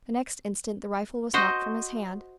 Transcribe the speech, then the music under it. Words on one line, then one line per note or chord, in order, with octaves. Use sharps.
The next instant, the rifle was knocked from his hand.
F#4 C5 D#5